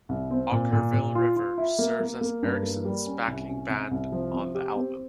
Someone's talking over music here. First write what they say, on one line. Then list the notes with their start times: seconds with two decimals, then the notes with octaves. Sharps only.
Okkervil River serves as Erickson's backing band on the album.
0.09 C2
0.31 C4
0.52 A#2
0.73 A#2
0.93 A#2
1.15 F4
1.36 F4
1.58 E4
1.79 A#3
2.00 A#3
2.21 A#3
2.43 G2
2.63 A#3
2.85 G3
3.06 C#4
3.27 C2
3.49 C#4
3.69 C3
3.91 C2
4.12 F3
4.33 C3
4.55 G4
4.76 C4